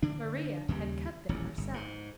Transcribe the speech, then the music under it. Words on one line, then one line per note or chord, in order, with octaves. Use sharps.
Maria had cut them herself.
D3 D4
D#2 C#3 G3
D#1 A1 D#2
G1
G#2